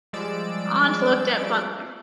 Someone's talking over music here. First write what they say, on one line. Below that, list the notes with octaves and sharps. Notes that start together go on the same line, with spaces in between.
Aunt looked at butler.
F3 G3 G#3 D5 E6 D7